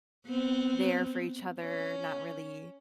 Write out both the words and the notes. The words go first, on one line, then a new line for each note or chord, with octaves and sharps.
there for each other, not really
B3 C4
C#4